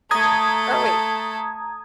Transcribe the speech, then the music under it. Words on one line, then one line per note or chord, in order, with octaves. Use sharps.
Or, wait,
A3 A4 A#5 D#6 G#6